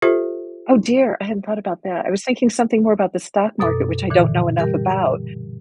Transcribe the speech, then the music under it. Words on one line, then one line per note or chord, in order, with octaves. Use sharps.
oh dear, I hadn't thought about that, I was thinking something more about the stock market, which I don't know enough about.
F4 G4 A4 C5 E5
F#2 B2 A4 D6
A#2 D3 E3
G3 G4 A#4